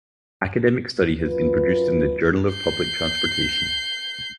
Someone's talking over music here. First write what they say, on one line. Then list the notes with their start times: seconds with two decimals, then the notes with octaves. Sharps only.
An academic study has been produced in the "Journal of Public Transportation".
1.21 F#2 F4 B4
2.51 G6 C7